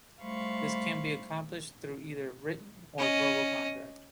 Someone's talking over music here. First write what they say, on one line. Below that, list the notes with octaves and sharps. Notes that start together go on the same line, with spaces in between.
This can be accomplished through either a written or verbal contract.
G3 A3 C5 F5 B5 C#6
C#4 D#5